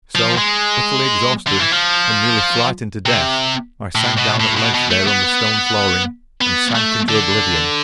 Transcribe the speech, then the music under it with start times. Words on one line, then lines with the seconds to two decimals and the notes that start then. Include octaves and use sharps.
So, utterly exhausted, and nearly frightened to death, I sank down at length there on the stone flooring, and sank into oblivion.
0.15 F3
0.38 G#3
1.47 D3
1.60 E3
1.72 F3
3.06 C3
3.95 A2
4.18 B2
4.40 A2
4.57 B2
4.74 B2
4.90 A3
5.07 B3
6.41 B3
6.75 A3
7.09 D3